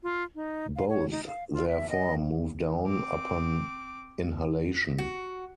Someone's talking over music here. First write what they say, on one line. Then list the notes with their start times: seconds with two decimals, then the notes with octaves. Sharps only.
Both, therefore, move down upon inhalation.
0.03 F4
0.35 D#4
0.76 F5
0.89 C#5
1.11 D#4
1.27 F5
1.53 F4
1.68 E5
1.90 D#5
2.87 C4 D6
4.98 F#4